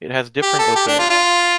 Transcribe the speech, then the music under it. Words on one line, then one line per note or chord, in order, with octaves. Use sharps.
It has different openings.
G4
A4
G4
D4
F4
F4